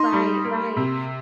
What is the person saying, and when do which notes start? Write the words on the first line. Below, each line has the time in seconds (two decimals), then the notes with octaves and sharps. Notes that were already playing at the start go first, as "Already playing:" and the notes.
Right, right,
Already playing: D#4 C6
0.13 G3
0.44 A#3
0.77 C3